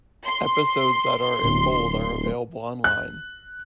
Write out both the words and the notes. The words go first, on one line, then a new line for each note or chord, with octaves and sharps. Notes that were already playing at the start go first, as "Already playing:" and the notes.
Episodes that are in bold are available online.
C6
D1
F#6